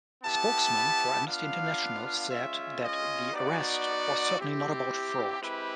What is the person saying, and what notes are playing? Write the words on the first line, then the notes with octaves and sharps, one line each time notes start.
A spokesman for Amnesty International said that the arrest was "certainly not about fraud".
B3 E4 G4 A5
B3 D4 F4 F5
G#3 C#4 F4 E5
D#5
B3 D#4 F#4 D5
C4 E4 G4
G#3 C4 E4 G4 B4